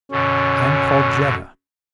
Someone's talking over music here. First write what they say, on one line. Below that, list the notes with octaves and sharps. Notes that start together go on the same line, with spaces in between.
"I am called Jetta."
F#2 B2 D3 C#4